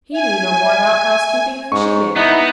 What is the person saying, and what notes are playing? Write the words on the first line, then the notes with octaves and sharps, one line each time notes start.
He knew no more about housekeeping than she did.
E5 G#5
G#2 C#6
B3 D#4 E4